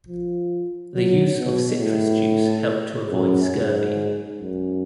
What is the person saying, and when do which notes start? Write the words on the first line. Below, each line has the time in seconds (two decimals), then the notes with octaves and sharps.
The use of citrus juice helped to avoid scurvy.
0.09 F3
0.95 F#3
1.38 B2
1.81 A2
3.11 F#2
3.53 G#2
4.40 F#2